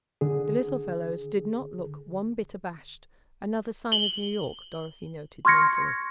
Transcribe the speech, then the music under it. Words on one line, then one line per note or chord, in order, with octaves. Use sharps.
The little fellows did not look one bit abashed--another sign of New York, Dorothy noted mentally.
D3 G#4
F#7 G7
C6 C#6 F6 G#6 A#6 C#7